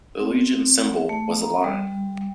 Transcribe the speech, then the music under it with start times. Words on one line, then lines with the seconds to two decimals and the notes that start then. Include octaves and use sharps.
The legion symbol was a lion.
0.20 C4
1.09 A3
1.42 A#5
1.64 G3